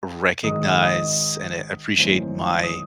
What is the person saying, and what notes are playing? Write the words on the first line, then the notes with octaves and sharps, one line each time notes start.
recognize and a appreciate my
G#1 G#2 D#3 G#3 D#5 D#6
D#5 D#6
G#1 F#2 E3 A3 C4
D#6